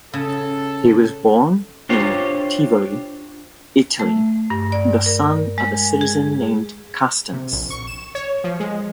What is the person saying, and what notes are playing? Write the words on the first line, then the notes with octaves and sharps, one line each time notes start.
He was born in Tivoli, Italy, the son of a citizen named Castinus.
C#3 A4
D4 F4 G4 C5 C#5
A3
G2
D5
A#4
G#3
G#4
C3
A#1
C#6
E7
C#5
F3
G#3